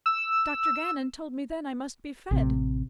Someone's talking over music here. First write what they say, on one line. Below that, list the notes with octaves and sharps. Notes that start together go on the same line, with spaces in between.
Dr. Gannon told me then I must be fed.
E6
A1 C3